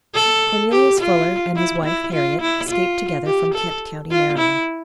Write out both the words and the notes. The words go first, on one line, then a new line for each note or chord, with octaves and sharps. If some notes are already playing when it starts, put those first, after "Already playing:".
Cornelius Fuller, and his wife, Harriet, escaped together from Kent county, Maryland.
A4
G4
F4
E4
E4
F4
E4
F4
G4
A4
F4
E4